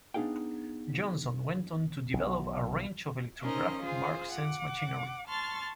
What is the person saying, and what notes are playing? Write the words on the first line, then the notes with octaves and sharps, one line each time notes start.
Johnson went on to develop a range of electrographic mark-sense machinery.
B3 D4 D#4 G#4 F5 G5
B1
C#4 D#4 A#4 C5 D#5
F4 G#4 C5
F#5 D6
A5 C6 C#6 F6 A6